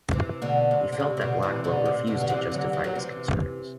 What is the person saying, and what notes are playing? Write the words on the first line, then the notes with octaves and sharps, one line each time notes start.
He felt that Blackwell refused to justify his concerns.
C3 E3
B2 D3
C3
D3
C3
C3
B2 D3
C3 E3
B2 D3
C3
B2 D3
D3
C3 E3
D3 F#3
E3
F#3
C3 E3